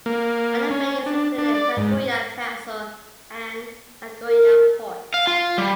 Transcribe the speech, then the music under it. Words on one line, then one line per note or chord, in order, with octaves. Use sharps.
Other venues included Nagoya Castle and Nagoya Port.
A#3
C#4
D4
D4
D5
G#2
A#4
F5
F4
G3